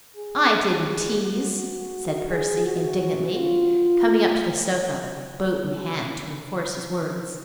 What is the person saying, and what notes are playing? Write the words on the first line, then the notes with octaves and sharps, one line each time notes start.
"I didn't tease," said Percy indignantly, coming up to the sofa, boat in hand, to enforce his words.
G#4
G#4
F#4
F#4
G#4
F#4
F4